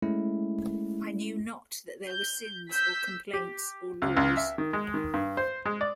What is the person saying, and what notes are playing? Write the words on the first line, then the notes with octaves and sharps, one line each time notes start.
I knew not that there were sins or complaints or laws.
G#3 A3 C#4 E4
G6
E6 G6 B6
G4
C#2
C#2
E5
D#3
G#3
D#3
G2
C5
G#3
D5